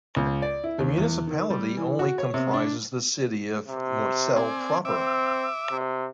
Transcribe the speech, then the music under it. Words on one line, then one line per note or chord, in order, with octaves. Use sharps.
The municipality only comprises the city of Mortsel proper.
C#2
D5
E4
D#2
E2
D#3
G3
E3
F#4
C#5
C3
D4
C3
C4 D5 G#5
C4 E5 D6
C3